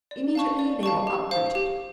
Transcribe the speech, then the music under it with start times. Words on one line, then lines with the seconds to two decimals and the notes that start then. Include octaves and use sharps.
Immediately they were uprooted.
0.11 D5
0.35 F5 A5 C#6
0.59 D5
0.83 F5 A5 C#6
1.07 G4
1.31 C5 F5
1.55 G4